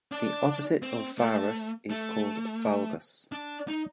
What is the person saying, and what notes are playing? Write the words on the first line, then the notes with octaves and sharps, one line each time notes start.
The opposite of varus is called valgus.
D4
C4
A3
A3
D4
D#4